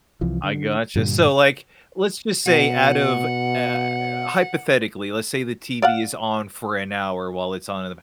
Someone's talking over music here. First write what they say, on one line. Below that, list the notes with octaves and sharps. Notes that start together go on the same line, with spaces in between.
I gotcha, so, like, let's just say out of, uh Hypothetically, let's say the TV is on for an hour while it's on in the ba
C2 E3 F3
D3
G2 A#2 D3 G3
B2 F#5
D5 F5 F#5